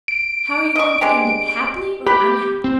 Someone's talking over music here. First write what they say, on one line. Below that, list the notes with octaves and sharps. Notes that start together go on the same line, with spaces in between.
"How are you going to end it--happily or unhappily?"
D7
D#5 C#6
G#3 D4 G4
G4 B4 B5
C4